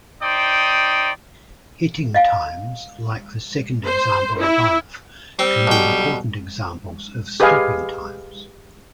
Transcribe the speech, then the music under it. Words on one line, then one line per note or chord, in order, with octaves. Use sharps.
Hitting times like the second example above can be important examples of stopping times.
D#4 C5 D5 G5 D#6
D#5 F5 G#5
C5
E4
G3 C4
B1 G5
G4 G#4 B4 D#5 F5 G#5